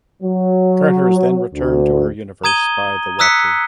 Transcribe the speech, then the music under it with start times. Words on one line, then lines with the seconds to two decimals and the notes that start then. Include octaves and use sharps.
Carter is then returned to her universe by the Watcher.
0.23 F#3
1.54 D2
2.44 A#5 D#6 G#6 D#7 G7
3.19 A#5 D#6 E6 F#6 B6 C#7